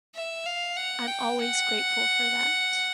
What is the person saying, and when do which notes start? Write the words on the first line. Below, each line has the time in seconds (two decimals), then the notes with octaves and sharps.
I’m always grateful for that.
0.16 E5
0.46 F5
0.77 F#5
1.08 G5
1.39 F#5